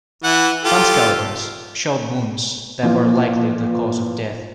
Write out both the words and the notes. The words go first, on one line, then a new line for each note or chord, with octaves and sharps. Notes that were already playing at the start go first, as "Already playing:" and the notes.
Some skeletons showed wounds that were likely the cause of death.
E3 F#5
F4 G4 A4
A#2 E3 F3 F4